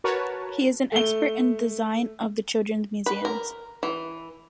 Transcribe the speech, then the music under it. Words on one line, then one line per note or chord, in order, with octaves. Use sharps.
He is an expert in the design of children’s museums.
F#4 A#4 B4 C#5 A5
A3 G7
B4
A#4
E3